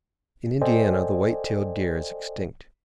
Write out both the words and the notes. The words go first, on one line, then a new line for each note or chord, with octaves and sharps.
In Indiana the white-tailed deer is extinct.
A4 C5 D5 D#5 G5 G#5